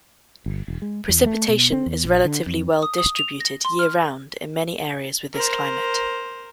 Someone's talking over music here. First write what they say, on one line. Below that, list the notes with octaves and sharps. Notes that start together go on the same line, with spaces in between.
Precipitation is relatively well distributed year-round in many areas with this climate.
G1
E1
G#3
E2
A3
B2
C4
E2
A#1
D3
F2
D#6
D#6
F7
A#6
C6
F6
A#4 C5